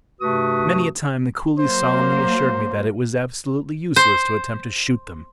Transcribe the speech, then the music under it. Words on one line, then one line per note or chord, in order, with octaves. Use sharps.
Many a time the coolies solemnly assured me that it was absolutely useless to attempt to shoot them.
G2 C3 A3 F#4 B4 D#6
F#3 A#3 C5
C5